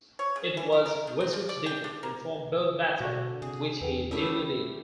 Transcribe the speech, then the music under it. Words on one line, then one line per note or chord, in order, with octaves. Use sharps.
It was Weser's duty to inform both batsmen which he duly did.
C#5
C#3
E3
E4
A#4
D#3
C4
F3
D5
G5
D4
A#4
B2 D3 F#4
C3 G#4
E2 B4 F#5 G5
G3 A3 C#4 E4 F4 A4 A#4